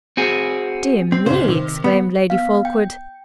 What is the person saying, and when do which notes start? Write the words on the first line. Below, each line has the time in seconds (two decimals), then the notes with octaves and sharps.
"Dear me!" exclaimed Lady Fulkeward.
0.17 C4 F#4 G#4
1.12 C4
1.26 C2 C#3 C5
1.44 C3 D#3
1.84 B3
2.30 B3 F5
2.65 G5